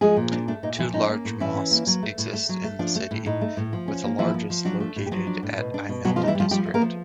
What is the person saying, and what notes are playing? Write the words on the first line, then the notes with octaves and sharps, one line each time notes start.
Two large mosques exist in the city, with the largest located at Imelda District.
F3 G#3 G#4
A#2
D4
A3 D4
A#2 D#4
E3 F3 E4
C#4 D#4
A#3
A2
E3 C#4 E4
C#4
A#3
F#3
A3
A2
A3
F#3
A3
F3 D4
A3
A2
A2 D#4
A3
A2
F3
C#4
A#3
E3 F3 E4
F3
F3
F#3 D4 F#4
A3
A2
G4
F3 F#3 F#4
D4
A2
B2
D4
B2
B2 F#3 F#4
F3 F4
G3 D#4
E3 E4
F3 G3 F4
F3 G3 G4
A3
A#3 A#4
F3